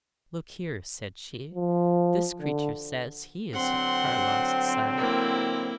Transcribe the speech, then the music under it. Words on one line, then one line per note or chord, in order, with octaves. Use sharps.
'Look here,' said she, 'this creature says he is our lost son.
F3
D3
D3 F#3 C4 F#5 C6
A#3 E4